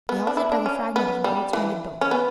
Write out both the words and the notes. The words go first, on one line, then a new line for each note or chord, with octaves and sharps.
He halted by the fragment of an old stranded boat.
B3
D4
E4
D4
C#4
B3
G3
E3
C#4
B3